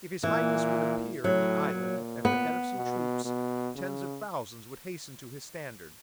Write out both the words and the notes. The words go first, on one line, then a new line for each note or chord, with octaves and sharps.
If his Highness would appear in the island at the head of some troops, tens of thousands would hasten to his standard.
A#2 E3
A2 F#3
A#2
B3
B2
B2
C#3